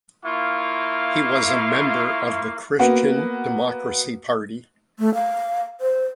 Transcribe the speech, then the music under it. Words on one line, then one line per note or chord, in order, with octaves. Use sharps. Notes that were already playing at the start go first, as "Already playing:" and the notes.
He was member of the Christian Democracy Party.
A#3 E4 F4 F5 C#6
A#3 B3 F#4
A3
F5
C5